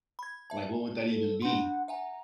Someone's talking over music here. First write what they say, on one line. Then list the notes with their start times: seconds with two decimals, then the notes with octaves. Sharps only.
Like, what would that even be?
0.19 B5 G#6
0.50 E5 A5
1.11 A4
1.42 D4 F#5 C6
1.88 E5 F#5 G#5 A#5